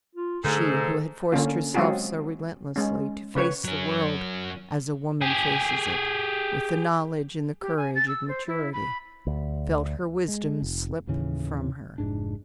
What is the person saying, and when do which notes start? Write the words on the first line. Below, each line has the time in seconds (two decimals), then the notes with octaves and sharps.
She, who had forced herself so relentlessly to face the world as a woman faces it, with the knowledge and the courage of maturity, felt her wisdom slip from her.
0.16 F4
0.44 G#2 D3 A3 A4
1.32 D3 A#3 C#4 F4
1.74 F#3 G#3 C4 F4 F#4 G#4
2.76 G#3 C#4
3.35 C#3 B4 C#5
3.65 F#3 C#4
5.21 G4 G#4
7.62 G4
7.77 G#5
7.95 A6
8.08 E6
8.28 C5
8.47 E4
8.73 B5
9.27 D2
10.28 G#3
10.62 F1
11.07 D#2 A2 C#3 E3
11.98 F1 G#2 D4